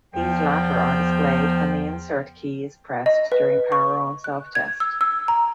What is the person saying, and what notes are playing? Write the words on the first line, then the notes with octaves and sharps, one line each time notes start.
These latter are displayed when the Insert key is pressed during power-on self-test.
E2 F3 G5
D#5
B4
C#6
F#6
G#6
E6
E6
A#5